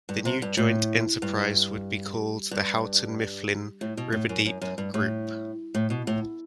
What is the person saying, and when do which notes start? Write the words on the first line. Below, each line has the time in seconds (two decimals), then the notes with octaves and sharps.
The new joint enterprise would be called the Houghton Mifflin Riverdeep Group.
0.09 G2
0.25 C3
0.42 G2
0.57 A2
1.22 G2
2.51 G2
3.81 A2
3.97 B2
4.12 A2
4.29 F#2
4.46 F#2
4.61 F#2
4.78 G2
4.94 A2
5.74 A2
5.90 B2
6.07 A2